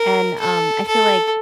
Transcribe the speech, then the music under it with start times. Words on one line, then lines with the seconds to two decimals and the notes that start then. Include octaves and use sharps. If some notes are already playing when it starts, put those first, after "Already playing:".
And, um, I feel like
Already playing: A#4
0.40 A4
0.87 A4